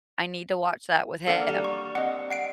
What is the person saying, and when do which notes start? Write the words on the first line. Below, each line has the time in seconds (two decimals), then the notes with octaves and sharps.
I need to watch that with him.
1.28 A#3 D4 A4 A#4 F#5
1.49 G3
1.64 C#6
1.95 C4 D#5 F#5
2.30 F#5 C7 D7